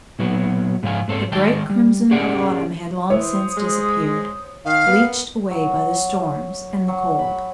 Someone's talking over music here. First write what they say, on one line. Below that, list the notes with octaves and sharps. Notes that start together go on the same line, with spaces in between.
The bright crimson of autumn had long since disappeared, bleached away by the storms and the cold.
A#2 F#3 B3 F#4
G#2 F3 F5 G#5
G#2 C4 A4 C#5
D#3 G#3 G5 A5
G3
C#4 G4 G#4 A#4 D5 F#5
E3 C5 C#5 D#6
G#3
D#3 F5
B3 A#4
F#3
F#3
B5